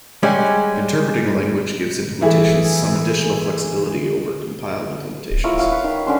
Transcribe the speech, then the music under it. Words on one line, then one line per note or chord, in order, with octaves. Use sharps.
Interpreting a language gives implementations some additional flexibility over compiled implementations.
G3 G#3 C#4
E3 A3 E4 G#4 A4
E4 F4 A#4 C#5
C#5 F5 F#5
B4
D#3
D3 C#4 C6